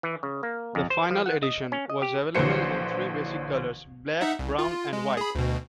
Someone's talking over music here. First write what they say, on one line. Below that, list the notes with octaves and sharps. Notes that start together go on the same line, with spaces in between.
The "Final Edition" was available in three basic colours: black, brown and white.
E3
C#3
A#3
F2
C5
F3
F#5
D#5
C#4
D#5
G4
A#1 D3 E3 F#3 C5 C#7
D#4 E5 F#5
C2
F4
G#3
G#4 B5
D2 B2